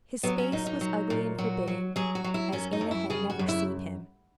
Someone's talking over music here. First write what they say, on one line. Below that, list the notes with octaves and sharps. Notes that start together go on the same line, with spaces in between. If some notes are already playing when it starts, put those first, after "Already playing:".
His face was ugly and forbidding, as Anna had never seen him.
F#3 B3
C#4
A#2 D#4
D#4
F#3
A#2
F#3 F#4
F#3
F#3 G#4
F#4
F#3
E4
F#2 C#4
D#4
F#2
E4
C#3 G#4
F#4
F#2
E4